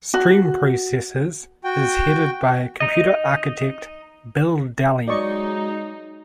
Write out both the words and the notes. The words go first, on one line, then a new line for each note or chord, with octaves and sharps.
Stream Processors is headed by computer architect Bill Dally.
F#4
F#4 G5
D#4 D#5
F#3 G#3 D#4 D5 D#5 C#6